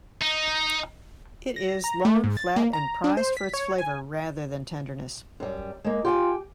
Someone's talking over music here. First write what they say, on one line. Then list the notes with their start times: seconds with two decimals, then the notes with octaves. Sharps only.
It is long, flat, and prized for its flavor rather than tenderness.
0.22 D#4
1.56 A#6
1.84 A#5
2.05 A3
2.24 G#2
2.37 A6
2.56 A#3
2.73 A#5
3.04 D4
3.17 C5
3.37 B6
3.54 C#5
3.78 G#5
5.40 F#2 G3
5.84 G#3 A#3
6.05 F4 G4 G5 G#5